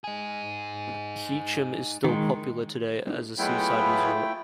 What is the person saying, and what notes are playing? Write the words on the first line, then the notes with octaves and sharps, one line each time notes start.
Heacham is still popular today as a seaside resort.
D#4 G#4
D#3 G#3
F#3 G#3 A3 B3 E4 F4 G5 B5